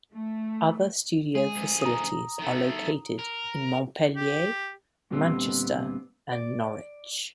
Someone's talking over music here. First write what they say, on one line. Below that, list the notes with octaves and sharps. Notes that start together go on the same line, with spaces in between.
Other studio facilities are located in Montpelier, Manchester and Norwich.
A3
G#3 G#4
D2 G#4
A#5 D#6
D#3 A3
A#4
G4
D2 A#2 D3 G3 B3 C4
D5